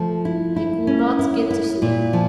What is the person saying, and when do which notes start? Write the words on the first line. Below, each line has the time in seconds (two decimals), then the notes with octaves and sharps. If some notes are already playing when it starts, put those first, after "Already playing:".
He could not get to sleep.
Already playing: F3 A3
0.25 E4
0.56 E4
0.87 C#4
1.19 E4
1.51 E4
1.82 A#2
2.13 F3